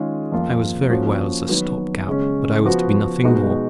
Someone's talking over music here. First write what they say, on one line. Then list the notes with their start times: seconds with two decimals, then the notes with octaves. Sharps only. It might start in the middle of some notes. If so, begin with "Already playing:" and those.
I was very well as a stopgap, but I was to be nothing more.
Already playing: D#3 G#3 C#4 F4 G#4
0.32 F2 F3 A#3 F4
0.90 F3 A#3 C#4 F#4
1.48 D#3 F#3 B3 F#4
2.07 C#3 G#3 C#4
2.65 F3 B3 F#4
3.23 B2 G#3 D#4 F#4